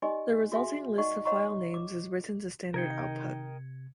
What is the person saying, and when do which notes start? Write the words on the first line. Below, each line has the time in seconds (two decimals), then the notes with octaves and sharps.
The resulting list of file names is written to standard output.
0.02 D#4 G4 D5 D#5 G#5 C6
0.52 F#4 G#4 E5 F5 G#5 C6
0.98 D#4 D5 D#5 F#5 C#6
1.25 C#5 D#5 F#5 A#5 C6 C#6
1.74 D6
2.74 C3 D#3 A#4 D#5 G5 G#6 C#7